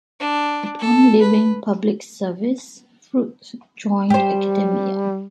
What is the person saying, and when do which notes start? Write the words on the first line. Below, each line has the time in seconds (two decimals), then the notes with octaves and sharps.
Upon leaving public service, Fuerth joined academia.
0.20 D4
0.80 A4
1.21 B4
4.10 G3 G4 C5